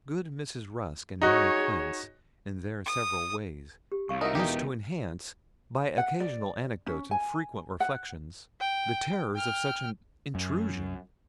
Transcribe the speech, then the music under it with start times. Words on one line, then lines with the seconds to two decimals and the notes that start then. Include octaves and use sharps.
Good Mrs. Rusk and Mary Quince, in their several ways, used to enhance, by occasional anecdotes and frequent reflections, the terrors of such an intrusion.
1.21 D#4 F#4 G#4 C#5
2.86 D#6
3.92 G4
4.09 C2 F5 C#6
4.21 D#4 F#4 A#4 D#5 E5
4.35 E2 B2 D#4 G4
5.98 F#5
6.20 D5
6.86 C#4
7.11 G#5
7.80 F#5
8.60 G5
9.35 G5 F6
10.35 F#2